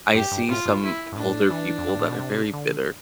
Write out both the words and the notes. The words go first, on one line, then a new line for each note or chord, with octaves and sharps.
I see some older people that are very bitter,
G2 G4
G2
A2 F4
G2
E4
G2
A2 D4
E3
F2
G2
A2
B2
C3
D3